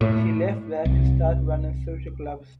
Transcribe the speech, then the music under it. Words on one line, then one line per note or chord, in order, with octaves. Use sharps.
She left that to start running social clubs.
A2
C2